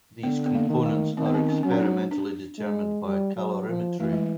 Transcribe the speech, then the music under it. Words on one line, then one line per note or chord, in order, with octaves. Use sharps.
These components are experimentally determined by calorimetry.
D3 B3
B3
A#3
D#3
A3
D#3 C4
B3
C4
C#4
F#3 C#4
D4
D#4
D4
G#3
G3
F#3
F3
E3 A3
G#3